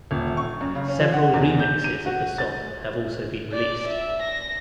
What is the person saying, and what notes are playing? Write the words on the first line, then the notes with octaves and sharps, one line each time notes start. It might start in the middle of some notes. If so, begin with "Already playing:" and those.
Several remixes of the song have also been released.
D#1
C#6
F#2
C#3
C#4
F3
F#5
E2
G6
D#7
F#4
A6
D5
E5
A#6